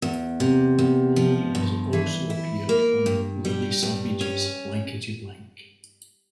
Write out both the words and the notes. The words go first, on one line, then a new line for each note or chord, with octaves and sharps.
He has also appeared on Lily Savage's Blankety Blank.
E2
C3
E2
F3
G2
E3
E4
A#3
G2
G3
G2
C#4